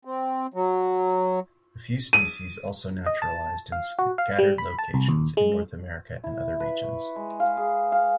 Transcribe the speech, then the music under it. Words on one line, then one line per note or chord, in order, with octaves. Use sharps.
A few species also naturalized in scattered locations in North America and other regions.
C4
F#3
D#7
D#5
A5
F5
F#4
F5
G3
B5
A5
C2
D#2
G#3
E4
B4
C#6
G#3
F5
G#4
F5